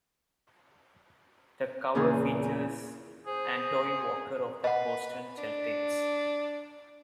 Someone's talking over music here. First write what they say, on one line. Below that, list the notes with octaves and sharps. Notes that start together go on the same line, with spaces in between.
The cover features Antoine Walker of the Boston Celtics.
E2 A#2 C#3 F4 G#4 D#6
G#4 C5
B4 D#5 F#5
D4